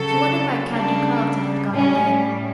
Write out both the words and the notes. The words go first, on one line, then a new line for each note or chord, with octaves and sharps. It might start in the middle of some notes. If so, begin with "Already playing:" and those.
She wondered why Captain Carleton had gone away.
Already playing: C#3 F#3 A4
C#3 G3 D4
A2 G3 C#4